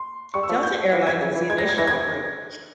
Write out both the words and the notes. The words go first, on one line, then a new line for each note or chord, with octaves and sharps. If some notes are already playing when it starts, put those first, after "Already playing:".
Delta Air Lines was the initial operator.
Already playing: C6
G3 C#6
E6
F3
G6
E3
C3 G#6
C#3
E3
G#3 G#6
A#6
G3
G#6
E3 A#6
G#6
C3